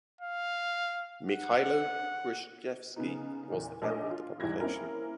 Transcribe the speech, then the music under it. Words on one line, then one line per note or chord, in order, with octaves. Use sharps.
Mykhailo Hrushevsky was the founder of the publication.
F5
F#5
C#3 B3 D#4
E2 A#2
A#1 A#2 A3 C#5 D#5 D6
F4
E2 G#2 G3 E4 G#6 A#6
A#3 C4 C#4 E4 A#4